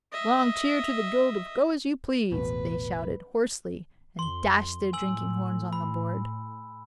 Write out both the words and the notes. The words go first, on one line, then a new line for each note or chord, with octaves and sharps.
"Long cheer to the Guild of Go-as-you-Please!" they shouted, hoarsely, and dashed their drinking-horns on the board.
D#5 E5
E1 A1 B2 B4
F2 C6 G7
A2 G#5 E6 F#7
B5